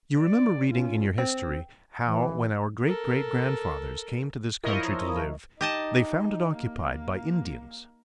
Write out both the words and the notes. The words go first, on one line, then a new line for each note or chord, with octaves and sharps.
You remember reading in your history, how, when our great-great- grandfathers came to this country to live, they found it occupied by Indians.
D5
C#4 F4
C4
E3
A4 A#4
F3 E4 A#4 C#5 D#5
D#4 G4 D#5 A5
A#3